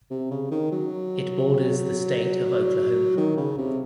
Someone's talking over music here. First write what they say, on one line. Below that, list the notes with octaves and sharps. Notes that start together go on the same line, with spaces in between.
It borders the state of Oklahoma.
C3
C#3
D#3
F#3
D#3
C#3
C3